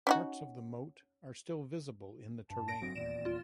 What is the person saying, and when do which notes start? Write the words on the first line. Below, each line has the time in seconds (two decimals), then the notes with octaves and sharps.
Parts of the moat are still visible in the terrain.
0.07 C#4 D#4 F#4
2.50 G2 A5
2.68 A#6 D7
2.81 F1 F#3 C4
2.96 D#1 E2 A#2 D5 E7
3.25 F4